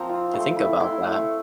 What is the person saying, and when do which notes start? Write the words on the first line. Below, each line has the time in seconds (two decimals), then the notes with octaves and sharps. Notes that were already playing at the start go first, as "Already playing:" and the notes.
to think about that.
Already playing: F3 C4 A#5
0.09 F4
0.33 A3 C6
0.57 E4
0.80 E4 C6
1.04 A3